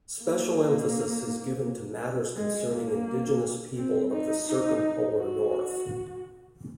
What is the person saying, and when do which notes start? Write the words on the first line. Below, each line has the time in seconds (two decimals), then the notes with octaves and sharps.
Special emphasis is given to matters concerning Indigenous people of the Circumpolar North.
0.24 A#3
2.36 G#3
2.72 A#3
3.77 C4
4.12 D#4
4.48 D#4
5.18 F#4